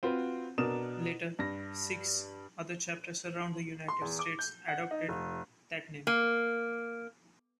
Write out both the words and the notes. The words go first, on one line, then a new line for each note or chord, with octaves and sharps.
Later, six other chapters around the United States adopted that name.
C4 F4 F#4 B4
B2 D4 A#4 A#5 D#6 E7
G2 A#6
C6
E2
D6
G6
F#5
D#4
F1
A#3